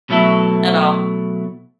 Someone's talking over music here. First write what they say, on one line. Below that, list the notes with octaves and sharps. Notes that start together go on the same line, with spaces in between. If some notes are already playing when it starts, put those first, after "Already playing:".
at all.
B2 F#3 A3 E4 A4